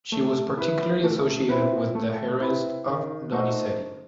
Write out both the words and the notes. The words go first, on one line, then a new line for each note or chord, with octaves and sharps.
She was particularly associated with the heroines of Donizetti.
A3
E4 B4
A3
C4 E4 B4
A3
C4 E4 B4
D#3
A3 D#4 F#4 C5